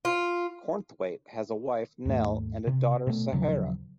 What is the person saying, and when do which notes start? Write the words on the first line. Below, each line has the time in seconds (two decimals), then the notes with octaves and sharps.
Cornthwaite has a wife, Nel, and a daughter, Sahara.
0.05 F4
2.06 D#2 G#2 A3
2.67 C3
3.07 B2 A3
3.32 D#1 C#3 F3 F#3